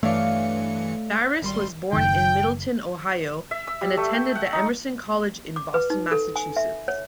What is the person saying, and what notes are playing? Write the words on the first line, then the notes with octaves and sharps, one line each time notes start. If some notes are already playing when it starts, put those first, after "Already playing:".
Pharris was born in Middletown, Ohio and attended the Emerson College in Boston, Massachusetts.
G2 E3 A3 C#5 D5 F5 C#7
G#1 G3 C6
F#1 D#3 G5
E5
E6
G3
A3
G5
F#5
D#4
D6
B4
D#4
A4
G#5
E5
C#5